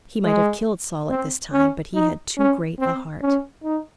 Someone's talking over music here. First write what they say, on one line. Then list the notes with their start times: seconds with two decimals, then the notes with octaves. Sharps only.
He might have killed Saul at this time, but he had too great a heart.
0.24 G#3
1.10 C4
1.52 C#4
1.94 D#4
2.37 C#4
2.79 C4
3.22 C#4
3.64 D#4